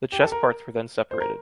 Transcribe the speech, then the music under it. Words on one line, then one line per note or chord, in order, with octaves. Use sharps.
The chess parts were then separated.
G4
A4
A#4
C5
A#4